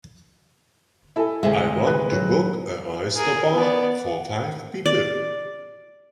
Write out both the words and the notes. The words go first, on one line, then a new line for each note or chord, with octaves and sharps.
I want to book an oyster bar for five people.
E4 A4 D#5 G#5
D2 C3 G#3 G#4 E5 F5 G#5
B4
F#3
G#4 A#4
B3 D5
D5